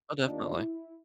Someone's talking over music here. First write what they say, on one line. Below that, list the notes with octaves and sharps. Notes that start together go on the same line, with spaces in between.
Oh, definitely.
D#2 D#3 A#3 D4 F4 D#5
E4